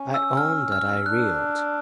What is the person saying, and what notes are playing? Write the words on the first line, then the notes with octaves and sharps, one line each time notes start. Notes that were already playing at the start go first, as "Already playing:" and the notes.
I own that I reeled.
Already playing: C#4
E6
F6
F6
D4 F#6